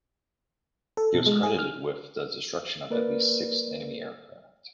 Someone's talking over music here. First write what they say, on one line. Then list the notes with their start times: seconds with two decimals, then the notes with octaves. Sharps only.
He was credited with the destruction of at least six enemy aircraft.
0.97 A4
1.14 B2
1.26 G#3
1.43 G#4
1.59 F6
2.90 A#3 A#4 B4 D5